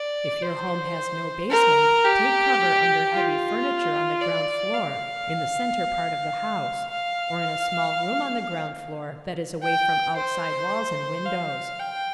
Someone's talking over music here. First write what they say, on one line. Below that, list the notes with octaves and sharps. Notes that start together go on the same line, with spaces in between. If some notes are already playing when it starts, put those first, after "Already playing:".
If your home has no basement, take cover under heavy furniture on the ground floor in the center part of the house, or in a small room on the ground floor that is away from outside walls and windows.
Already playing: D5
C5
A#4
G4
F4
D5
F5
F5
G5
C5
F5
G5